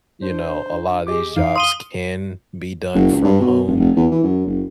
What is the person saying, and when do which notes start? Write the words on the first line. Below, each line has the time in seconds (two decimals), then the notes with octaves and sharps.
you know, a lotta these jobs can be done from home,
0.23 D4 C5
1.07 G4 G#4 D#5 D6
1.37 F2 E3 D#4 F5
1.56 C6 D#6 D#7 G7
2.95 F#1
3.12 C#2
3.24 G2
3.41 B2
3.67 F1
3.80 F1
3.96 E2
4.11 E3
4.23 F#2
4.46 F#1